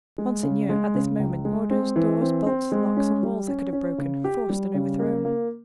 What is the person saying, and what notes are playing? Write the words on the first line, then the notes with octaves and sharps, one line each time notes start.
"Monseigneur, at this moment, orders, doors, bolts, locks, and walls I could have broken, forced and overthrown!"
G#3
C#3
G#3
C#3
C#2
G#3
C4
E3
C4
C4
G#3
C#4
G3
C#4
C#4
C#3
G4
G3
C#3
A#3
A#3